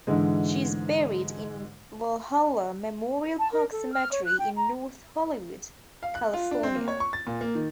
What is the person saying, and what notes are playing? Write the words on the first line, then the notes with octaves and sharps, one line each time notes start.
She is buried in Valhalla Memorial Park Cemetery in North Hollywood, California.
G#2 D3 E3 G#3
A5
A#4
A4
F6
C#5
F#6
G5
A#5
F5
F#6
F4
D4
C4
A#3
C#5
C#6
A6
A#2
A#3
D#3